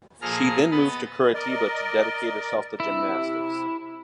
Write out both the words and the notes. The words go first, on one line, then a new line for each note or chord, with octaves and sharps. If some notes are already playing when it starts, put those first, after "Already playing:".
She then moved to Curitiba to dedicate herself to gymnastics.
A#2 F3 G#4 A4 A#5 F6
B3 B4 D#5 B5 A6
A#4 D5 D#5
C3 E4